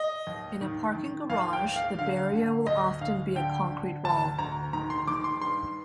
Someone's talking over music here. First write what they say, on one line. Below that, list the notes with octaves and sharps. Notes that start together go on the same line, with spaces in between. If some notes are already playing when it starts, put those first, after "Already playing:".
In a parking garage, the barrier will often be a concrete wall.
Already playing: D#5
D#2
D#3
D#3
D#2 F5
G5
D#2
F5
D3 F5
D3
D2 D#5
D2 F5
D3 G5
D3
D2 A5
D2 A#5
D#3 A#5
C6
D#3 D6
C6
G2 C6